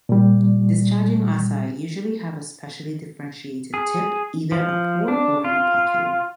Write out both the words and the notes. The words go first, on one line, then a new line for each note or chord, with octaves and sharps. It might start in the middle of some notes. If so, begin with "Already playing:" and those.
Discharging asci usually have a specially differentiated tip, either a pore or an operculum.
A#2 G3
G#4
F3
D4
F4